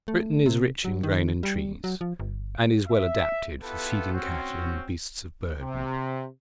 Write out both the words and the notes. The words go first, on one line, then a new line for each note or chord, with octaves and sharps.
Britain is rich in grain and trees, and is well adapted for feeding cattle and beasts of burden.
A3
C3
F#3
D#3
G3
F#3
F3
G1
E5
B3 E4 F4 G4 A4 B4
C4 C#4 F#4
C3